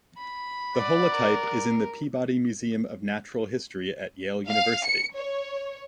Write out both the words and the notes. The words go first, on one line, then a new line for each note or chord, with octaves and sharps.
The holotype is in the Peabody Museum of Natural History at Yale University.
B5
D5 F#5
A#4
F5
C#7
C#5